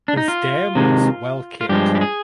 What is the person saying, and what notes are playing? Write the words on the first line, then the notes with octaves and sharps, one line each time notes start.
His dam was Well Kept.
D4
D#4
F4
C3 D#3 G#3
F4
G2 F3 G#3 G4
G4
G#4